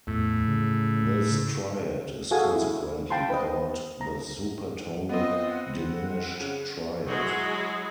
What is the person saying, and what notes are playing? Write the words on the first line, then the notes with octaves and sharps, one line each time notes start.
This triad is consequently called the supertonic diminished triad.
E2 A2
C#3
C#3
F#4 G#4 A4 F5 G#5 D#6
E4
F5 G5 A5 B5 C6
B4 C5 D#5
A#5
B3 C4 F4 D#5
F#5
C#3
F#3 G#3 E4 F#4 G#4